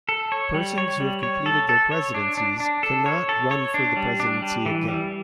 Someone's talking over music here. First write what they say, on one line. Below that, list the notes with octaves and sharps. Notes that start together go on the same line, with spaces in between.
Persons who have completed their presidencies cannot run for the presidency again.
A4
C#5
G3
C#5
G3
C#5
A4
A4
C#5
D4
D4
D4
A4
C#5
A4
C#5
D4
G3
D4
G3
E3
G3